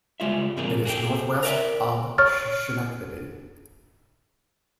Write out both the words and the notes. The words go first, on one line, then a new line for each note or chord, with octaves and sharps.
It is northwest of Schenectady.
C#2 G3 G#3 F4 E5
G#2 C3 F3 A#3 G#4
F#4 G#4 A4 G5
A#4 D5 E5
C#5 C#6 F6 A6